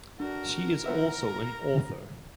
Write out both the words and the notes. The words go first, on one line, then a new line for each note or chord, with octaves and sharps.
She is also an author.
D4 F#4 A#4
F3 B3 E5 A#5